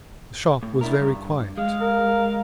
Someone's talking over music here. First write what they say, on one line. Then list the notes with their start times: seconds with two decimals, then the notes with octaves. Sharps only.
The shop was very quiet.
0.63 A2
0.81 D4 E4 A#4
1.00 G2
1.58 G#3 F5
1.81 A#4